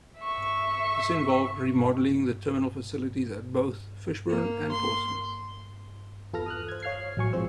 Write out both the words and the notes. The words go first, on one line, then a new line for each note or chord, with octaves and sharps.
This involved remodelling the terminal facilities at both Fishbourne and Portsmouth.
E5 C#6
A#3
C6
E2 F4 A4 B4 F6 A#6
D#6 F6 F#6
C5 G#6
C#5 F5 F6 G#6 C7
A1 F#3 G#5 C#6
A#1 F3 G#3 C4 C5 E6